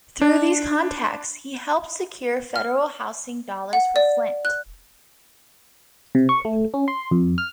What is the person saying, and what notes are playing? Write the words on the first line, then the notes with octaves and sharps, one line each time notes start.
Through these contacts he helped secure federal housing dollars for Flint.
D4
F6
F#5
D5
F#6
C3
C#6
A3
C#4
C6
F2
F6